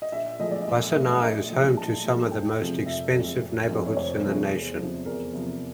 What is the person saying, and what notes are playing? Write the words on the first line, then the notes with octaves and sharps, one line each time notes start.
Wassenaar is home to some of the most expensive neighbourhoods in the nation.
D#5
A#1 E5
A2 F3 G#3 D#5
D5
D#5
A#1
A2 F3 G#3
A#1 D#5
A2 F3 G#3
A#1 A5
A2 F3 G#3
F1 G5
F2 C3 F3 G#3
F1 E5
F2 C3 F3 G#3
F1
F2 C3 F3 G#3
C#5
F1 C5
F2 C3 F3 G#3
E2
C3 F3
E2 A#4
C3 F3